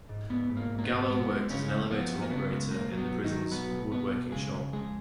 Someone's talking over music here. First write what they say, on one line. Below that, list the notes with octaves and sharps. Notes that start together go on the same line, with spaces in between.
Gallo worked as an elevator operator in the prison's woodworking shop.
G#2
G#2 B3
G#2
A#3
G#2
A#3
B3
G#2
G#3 B3
G#3
C#3 G#3 C#4
F#2
A#3
F3 B3
F#2
A#3
C#3 B3
G#3
B1 A#3
F#3
B3
F#3
D#3 D#4
F#3
B1 B3 B4
B1
B2 B3 B4
B1
C#3 G#3 G#4
C#3
F2 G#3 G#4